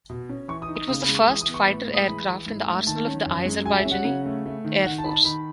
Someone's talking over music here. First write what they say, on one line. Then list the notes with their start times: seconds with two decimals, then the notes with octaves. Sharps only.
It was the first fighter aircraft in the arsenal of the Azerbaijani Air Force.
0.10 B2
0.29 C#4
0.48 E3 C#6
0.62 D#6
0.68 D#4
0.76 D#6
0.88 C#3 D#6
1.01 B5
1.09 G#3
1.15 C#6
1.27 E3 D#6
1.41 D#6
1.48 B3
1.54 C#6
1.68 A2 B5
1.88 G#3
1.94 D#6
2.07 E3 B5
2.27 E4
2.46 G#2
2.66 A3
2.87 D#3 A5
3.06 C#4
3.25 F#2
3.45 G#3
3.66 F#3 G#5
3.78 E5
3.85 C#4
3.91 F#5
4.05 C#3
4.26 A3
4.46 A3
4.64 D#3
4.84 D#3 F#5
4.98 A5
5.04 D#4 B5
5.11 A5
5.24 D#3 B5